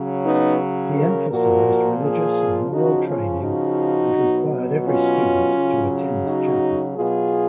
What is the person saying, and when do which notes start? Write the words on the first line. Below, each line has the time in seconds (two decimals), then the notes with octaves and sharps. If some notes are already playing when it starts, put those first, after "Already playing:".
He emphasized religious and moral training and required every student to attend chapel.
Already playing: C#3 F#3
0.24 B3 D#4
0.95 A#4 C#5
1.31 A#2 F3 F#4 A#4
2.01 F4 G#4
2.72 C#3 F3 D#4 F#4
3.07 C#4 F4
3.42 D#4 F#4
4.13 B2 F#3
4.84 C#4 F4
5.55 C#3 F#3
6.25 D#4 F#4
6.96 B2 F#3 F4 G#4